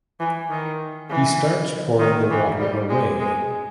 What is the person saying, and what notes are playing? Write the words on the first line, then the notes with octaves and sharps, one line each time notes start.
He starts pouring the water away.
E3
D#3
E3
D#3
E3
G3
G#3
G#3